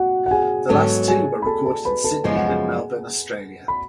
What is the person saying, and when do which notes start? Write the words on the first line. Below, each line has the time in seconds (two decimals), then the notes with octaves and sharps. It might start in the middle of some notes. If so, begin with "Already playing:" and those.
The last two were recorded in Sydney and Melbourne, Australia.
Already playing: F#4 F#5
0.26 F#5
0.31 G#4 G#5
0.69 G#2 F#3 B3 A4 A5
1.08 G#4 G#5
1.42 B5
1.46 A4 A5
1.66 A4 A5
1.85 B4 B5
2.04 A4 A5
2.24 F#2 C#3 F3 G#3 B3 G#5
2.36 F#5
2.48 G#4 G#5
3.68 B5